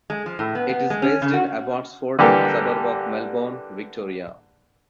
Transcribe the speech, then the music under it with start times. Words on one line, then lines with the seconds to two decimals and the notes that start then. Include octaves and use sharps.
It is based in Abbotsford, a suburb of Melbourne, Victoria.
0.10 G#3
0.26 F3
0.39 A2
0.55 B3
0.69 B3
0.90 G#3
1.02 C#4
1.22 C#3
1.34 F#4
2.19 D3 E3 G3 A#3 G4 A4